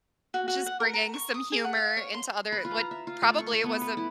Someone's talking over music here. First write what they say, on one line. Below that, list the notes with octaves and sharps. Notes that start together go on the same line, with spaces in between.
Just bringing some humor into other what probably was a s
F#4
F#4
F#5
A#4
A#5
C#6
D#6
G#4
F#5
F5
C#5
C6
B4
F4
A#5
E5
F4
A3
C#6
C#5
B3
B4
E4